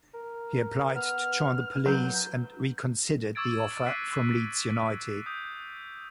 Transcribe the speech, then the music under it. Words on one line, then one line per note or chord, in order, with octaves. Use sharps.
He applied to join the police and reconsidered the offer from Leeds United.
A#4
B3 F6
F#3 B3 G6
C#6 D6 E6 G#6 A6 D7
F#6 B6 C7 D7 D#7
D#6 G6